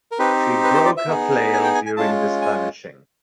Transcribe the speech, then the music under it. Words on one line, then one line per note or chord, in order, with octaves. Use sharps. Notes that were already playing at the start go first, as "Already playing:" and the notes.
She broke her flail during this banishing.
A#4
C4 D#4 G4 B4
B4
C5
D5
E5
B3 D#4 G#4
G#5
G5
G#5
G#5
G#3 C#4 F4 A5
G#5